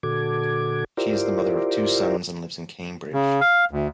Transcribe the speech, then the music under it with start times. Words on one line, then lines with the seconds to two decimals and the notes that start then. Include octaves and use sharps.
She is the mother of two sons and lives in Cambridge.
0.03 A#2 D3 F#4 A4 D6 G#6
0.97 E4 F4 G4 A#4 C5 D5
3.13 C#3
3.41 F5
3.71 D2